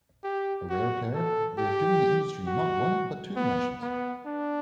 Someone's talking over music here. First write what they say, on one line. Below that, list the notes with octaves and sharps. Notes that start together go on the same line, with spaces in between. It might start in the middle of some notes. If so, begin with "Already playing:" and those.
A rare pair, they have given the industry not one but two dimensions.
G4
F#4
A4
G4
F#4
B3
B3
D4